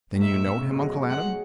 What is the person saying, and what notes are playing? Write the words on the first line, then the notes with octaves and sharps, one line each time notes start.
Then you know him, Uncle Adam?
A2
G#2 E5
A2
B2
C#3
G#3
F#3
F#3
F#3
G#3 F#5
F#3
G#3